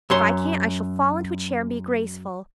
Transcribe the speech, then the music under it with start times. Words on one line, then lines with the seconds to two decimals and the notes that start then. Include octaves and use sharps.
If I can't, I shall fall into a chair and be graceful.
0.10 F#2 C#5 C6